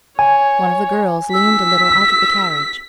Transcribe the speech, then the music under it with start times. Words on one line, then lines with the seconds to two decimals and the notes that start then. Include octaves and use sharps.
One of the girls leaned a little out of the carriage.
0.19 C#5 G#5
1.34 E6 B6